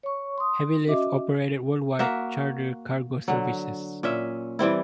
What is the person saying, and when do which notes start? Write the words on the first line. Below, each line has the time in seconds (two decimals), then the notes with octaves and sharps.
Heavylift operated worldwide charter cargo services.
0.03 C#5 C#6
0.38 C6 D#6
0.87 C#4 F#4 D#5 E5 D6
1.99 A#3 F#4 E5
3.28 D3 F#3
4.03 A#2 C#4 E5
4.59 E3 G3 C4 E4